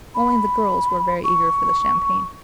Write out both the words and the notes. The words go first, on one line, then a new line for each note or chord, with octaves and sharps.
Only the girls were very eager for the champagne.
B5
C#6